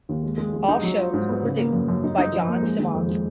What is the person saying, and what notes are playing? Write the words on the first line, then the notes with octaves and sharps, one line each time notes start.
All shows were produced by John Simmonds.
D#2
G#3
G#3
G#3
D#4
F#3
F4
G#2
B3
C#3
A#3
F#2
F#2
D#4
D#4
F3
A#3
G#3
D#3
F2
G#3